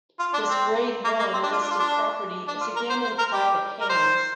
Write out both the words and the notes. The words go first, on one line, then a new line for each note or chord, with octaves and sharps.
This Grade One listed property is again in private hands.
F4
D4
C4
A#3
A#3
C4
D4
F4
D4
F4
D4
D4
F4
A#4
C5
C5
A#4
G4
A#4
C5